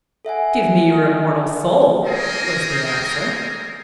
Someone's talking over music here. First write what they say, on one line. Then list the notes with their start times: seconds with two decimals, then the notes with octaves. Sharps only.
"Give me your immortal soul," was the answer.
0.25 A4 E5 F#5 G#5
2.04 G3 A#3 C4 G#4 A#4 D#5